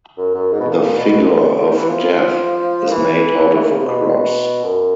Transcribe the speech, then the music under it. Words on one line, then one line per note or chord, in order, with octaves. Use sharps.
The figure of Death is made out of a cross.
F#2
F#2
G#2
B2
A#2
A#2
B2
B2
C3
D3
C#3
D3
D#3
E3
F3
D#3
E3
E3
D#3
C#3
C3
B2
F#2